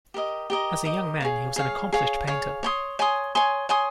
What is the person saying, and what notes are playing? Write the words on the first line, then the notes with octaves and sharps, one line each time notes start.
As a young man he was an accomplished painter.
G4 A#4 D#5
G4 A#4 D#5
G4 A#4 D#5
G#4 C#5 F5
G#4 C#5 F5
G#4 C#5 F5
G#4 C#5 F5
C#5 G#5 C6 D#6
C#5 G#5 C6 D#6
C#5 G#5 C6 D#6
C#5 G#5 C6 D#6